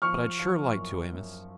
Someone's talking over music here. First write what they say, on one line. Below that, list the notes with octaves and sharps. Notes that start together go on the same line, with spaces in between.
But I'd sure like to, Amos.
F3 C#6 F6
F3
F#2
F#2